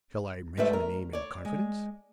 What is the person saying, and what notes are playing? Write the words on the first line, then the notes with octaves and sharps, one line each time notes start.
Shall I mention the name in confidence?
G#2 G3 A3 B4 E5
A#4
C#5 D5
G#3